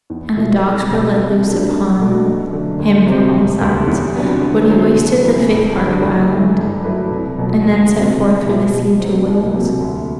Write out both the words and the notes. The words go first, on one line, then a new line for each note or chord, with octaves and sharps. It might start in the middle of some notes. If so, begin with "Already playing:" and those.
And the dogs were let loose upon him from all sides. But he wasted the fifth part of Ireland, and then set forth through the sea to Wales.
E2
B2 A3 E4
C2
B2 G3
C3
F#3 A3 D4
E2
B2 A3 D4 F#4
F#2
D3 A3
D2
C3 F#3 C4 G4
E1
D2 C3 G3
E2
C3 F#3 B3 D4
D3
F#3 C4 E4 A4
C2
C3 E3 B3
G2
D3 G3
F#1
F#2 E3 A3
G2
F#3 A3 E4 B4
C2
B2 F#3 A3
D2
C3 F#3 C4
C2
B2 F#3 C4 E4
B2
F#3 C4
C2
C3 F#3
D2